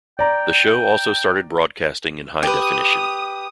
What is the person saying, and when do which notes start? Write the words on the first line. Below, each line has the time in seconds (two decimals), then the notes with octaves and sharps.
The show also started broadcasting in high-definition.
0.19 D5 G5 A#5
2.43 G4 B4 D#6